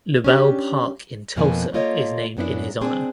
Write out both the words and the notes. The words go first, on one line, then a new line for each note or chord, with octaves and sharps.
Lubell Park in Tulsa is named in his honor.
C#4 D4 G4
F2 B2 F3 A#3 B4 G#5
A#3 F4 A4 C#5 D#5
F#2 F#3 B3 D4 E4
C4 D4 G#4